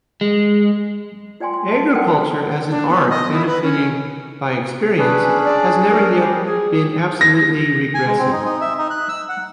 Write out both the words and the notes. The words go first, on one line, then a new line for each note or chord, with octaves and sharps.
Agriculture, as an art benefiting by experience, has never yet been absolutely regressive.
G#3
F4 D5 G5 G#5 C6
C6
F#4 D#5 A5
F#4 A4 A#4 D5 F#5 G5
C5 C6
D4
B3
D#5
E4
B4
C#4
C#4 D4 G#4 B4
D5
A#4
G3
G#4
A#6
G#5
G#3
C4
D#4
D#4
E5
D#4
F#6
E6
F#5